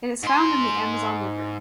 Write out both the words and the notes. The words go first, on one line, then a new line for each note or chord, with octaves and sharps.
It is found in the Amazon River.
G#2 C6